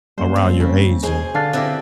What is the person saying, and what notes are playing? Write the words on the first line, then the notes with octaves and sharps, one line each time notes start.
around your age and
G3 A#3 C#4 C5
C4
C#3
B2 G#4 C5 G#5
D3 D4 F5 A6
B3 C4 D4 E4 F#4 G4